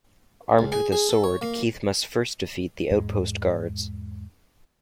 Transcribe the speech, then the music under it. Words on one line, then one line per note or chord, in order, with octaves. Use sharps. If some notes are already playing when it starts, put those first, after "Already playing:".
Armed with a sword, Keith must first defeat the outpost guards.
C#2
G#4
G#4
A4
C#5
A#3
E2 G#2 G#3